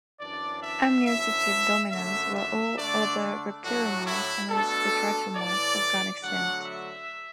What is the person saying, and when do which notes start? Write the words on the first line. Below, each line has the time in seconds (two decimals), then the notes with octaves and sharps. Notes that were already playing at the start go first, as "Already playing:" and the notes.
Amniotes achieved dominance, while all other reptiliomorphs and most batrachomorphs have gone extinct.
0.20 F#2 E3 D4 D5
0.63 E5
1.06 F#2 E3 D4 E5
1.92 F#2 D3 A3 E5
2.35 E5
2.78 D3 A3 D4 D5
3.64 A2 F#3 A3 D4 F#4
4.07 E4
4.50 B2 A3 D4 A4
5.36 A2 E3 A3 D5
6.22 D3 F#3 A3 D4 F#5
6.65 E5